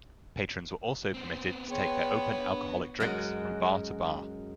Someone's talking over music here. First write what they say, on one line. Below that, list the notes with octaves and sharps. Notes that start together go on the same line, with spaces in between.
Patrons were also permitted to take their open alcoholic drinks from bar to bar.
B3 C4
B3 G#4 B4 C#5 G5 C6
D4
F#2 G#3 C#4 F#4